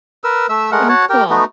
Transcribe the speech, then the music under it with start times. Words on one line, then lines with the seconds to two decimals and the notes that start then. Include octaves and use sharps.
Oh, cool.
0.24 A#4 B4 E6
0.49 A3 E5 E6
0.72 G#3 A3 A#4 F#5
0.89 F#4 C#5 F#5 A5
1.09 G4 A#4 G5
1.30 A3 B3 D#4 F#4